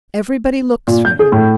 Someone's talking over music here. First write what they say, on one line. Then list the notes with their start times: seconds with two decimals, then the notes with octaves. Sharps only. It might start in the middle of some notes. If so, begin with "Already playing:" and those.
Everybody looks for him.
0.88 A#2
1.05 G6
1.19 G#4
1.32 A2